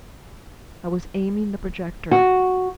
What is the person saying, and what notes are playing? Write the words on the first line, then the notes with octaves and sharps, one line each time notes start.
I was aiming the projector.
F#4